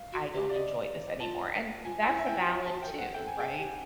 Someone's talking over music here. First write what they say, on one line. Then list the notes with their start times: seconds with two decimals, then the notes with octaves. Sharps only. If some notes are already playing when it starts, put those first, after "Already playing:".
I don't enjoy this anymore." And that's a valid too, right?
Already playing: F5
0.13 F#4
0.34 G4
0.49 D5
0.55 D#5
1.20 F4 A5
1.85 F4 G#5
2.02 G#5
2.07 E4
2.17 E5
2.26 E4 G5
2.34 F#5
2.40 F#4
2.50 F4
2.66 A5
2.71 F#4
2.82 A#4 G5
2.92 A4
2.98 F#5
3.14 A4 G5
3.28 G#5
3.36 G#4
3.40 G5
3.58 G4